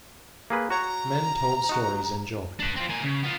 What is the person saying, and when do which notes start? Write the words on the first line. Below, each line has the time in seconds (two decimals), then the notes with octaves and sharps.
Men told stories and joked.
0.50 A#3 G#4 B4
0.70 F#4 C#5 A#5
1.69 D#4 F#4
2.59 D4 B4
2.76 C4 F4
2.89 A#3 G#5
3.03 C#3
3.23 B3 F4